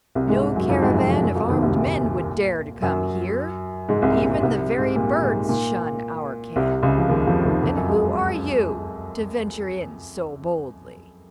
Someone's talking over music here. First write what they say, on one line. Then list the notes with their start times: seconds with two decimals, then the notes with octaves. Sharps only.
'No caravan of armed men would dare to come here, even the very birds shun our camp, and who are you to venture in so boldly?'
0.15 C2 C3
0.29 G#2 G#3
0.42 G#2 G#3
0.55 F#2 F#3
0.68 F2 F3
0.82 G#2 G#3
0.90 F3
0.96 F#2 F#3
1.09 F2 F3
1.22 F#2 F#3
1.35 F2 F3
1.49 D#2 D#3
1.62 C2 C3
1.76 A#2
2.82 F#2 F#3
3.89 G#2 G#3
4.02 C2 C3
4.15 A#2
4.29 G#2
4.42 C2 C3
4.78 G#2
4.96 A#2
5.23 G#2
5.49 A#2
6.56 C2 C3
6.83 C#2 C#3
6.98 F3
7.09 D#2 D#3
7.27 F2 F3
7.45 D#2 D#3
7.63 F2 F3
7.76 F#2 F#3
7.89 G#3